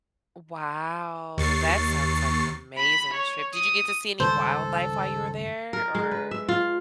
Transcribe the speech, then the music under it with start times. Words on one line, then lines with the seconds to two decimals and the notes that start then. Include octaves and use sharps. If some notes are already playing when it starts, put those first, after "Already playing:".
Wow. That sounds like an amazing trip. Did you get to see any wildlife while you were there or
1.37 D#2 C#6 A6 C7
2.78 B5
3.13 C#5
3.54 D#6
4.20 C#2 G2 D#3 A4 C5
5.73 A#4
5.95 G#3
6.11 B4
6.31 E5
6.49 F4